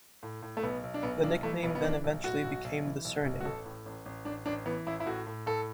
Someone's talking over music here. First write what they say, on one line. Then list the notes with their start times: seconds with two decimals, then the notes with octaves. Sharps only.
The nickname then eventually became the surname.
0.23 A2
0.42 A2
0.57 A3
0.63 B1 B3
0.83 B1
0.94 D4
1.03 B1 B3
1.23 B1 D4
1.43 E3 A3
1.63 B1 B3
1.75 B3
1.83 E3 D4
2.04 B1
2.24 A2 F#4
2.44 B1
2.64 B1
2.85 E3
3.05 B1
3.24 B1
3.41 F#4
3.45 A1 A4
3.65 A2
3.86 A1
4.06 A1
4.25 A1 D4
4.46 A1 D4
4.66 E3 B3
4.86 A1 E4
5.00 E4
5.06 A2 F#4
5.27 A2
5.46 A2 A4